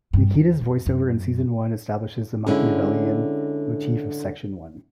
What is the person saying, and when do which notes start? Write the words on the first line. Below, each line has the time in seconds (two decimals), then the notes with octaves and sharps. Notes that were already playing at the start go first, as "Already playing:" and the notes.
Nikita's voice-over in Season One establishes the Machiavellian motif of Section One.
0.13 G2
0.34 E2
0.61 F#2
0.86 F#2
2.46 D3 G#3 C#4 E4